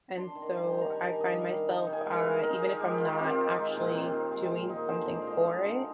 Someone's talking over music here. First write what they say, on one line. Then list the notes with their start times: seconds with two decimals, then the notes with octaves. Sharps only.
And, so, I find myself, uh even if I'm not actually doing something for it
0.17 D4 C6
0.35 D#3
0.41 A#5
0.55 G3
0.63 G5 G#5
0.73 D#3
0.81 A#5
0.92 D4 G#5
1.11 D#3
1.21 D#5
1.30 G3 F5
1.48 D#3
1.68 D#4 G5
1.87 D#3
1.93 G#5
2.06 G#3
2.18 F5
2.24 D#3
2.39 D#4 G#4 A#4
2.62 D#3 G#4
2.81 G#3 G4
3.00 D#3 F4
3.13 F4
3.18 C4 G4
3.37 D#4
3.56 G#3
3.76 A#2
3.94 C4
4.13 D#4
4.32 G#3
4.51 A#2
4.69 D#4 G#4
4.89 D3 C5
5.07 G#3 D5
5.22 F5
5.27 D3 D#5
5.45 D#4
5.64 D3